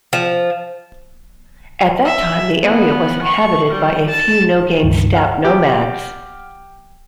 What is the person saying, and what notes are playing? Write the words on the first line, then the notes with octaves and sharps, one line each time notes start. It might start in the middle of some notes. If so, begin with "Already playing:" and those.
At that time the area was inhabited by a few Nogain steppe nomads.
F3
E5
B3
C#6
G3
A5
C#2 G2 D#3
F#5 F6
G4